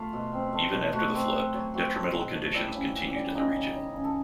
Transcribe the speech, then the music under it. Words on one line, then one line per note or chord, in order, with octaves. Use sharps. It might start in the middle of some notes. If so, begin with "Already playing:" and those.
Even after the flood, detrimental conditions continued in the region.
Already playing: A3 F4 F5
B2
C4
A3
B2
A3 F#4 F#5
C4
C4
F#3
C4 F#4 F#5
A3
B2
A3
G3 E4 E5
C#3
E3
G3
C#3 D#4 D#5
C#3
C#3
C#3
A4